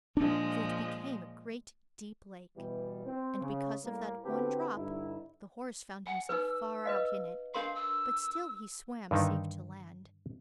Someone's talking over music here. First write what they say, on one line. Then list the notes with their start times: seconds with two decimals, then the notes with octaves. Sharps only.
So it became a great deep lake; and because of that one drop, the horse found himself far out in it, but still he swam safe to land.
0.17 A#2 F3 G#3 D4
2.56 B2 E3 G3
3.06 C4
3.40 C#3
3.84 A2 G3 A#3
4.24 D3 C4 F#4 G4 A4 B4
4.76 G2 D3 G3 D#4 E4
6.07 F#5 G#5
6.29 D#4 B4 E6
6.85 B4 D#5 F5
7.54 D4 A#4 F5 C6
7.75 E6
9.11 G2 D3 D#3 D#4